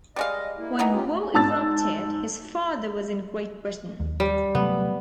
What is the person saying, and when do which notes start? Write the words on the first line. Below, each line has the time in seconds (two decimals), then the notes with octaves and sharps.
When war erupted, his father was in Great Britain.
0.16 G3 G#3 D#5 F5
0.58 A#3 E4
0.79 E3 B3 D#4
0.93 C#4 F4 G4
1.34 G#2 A5 E6 A6
4.00 D#2
4.20 G3
4.55 C3 F#3 A3 B3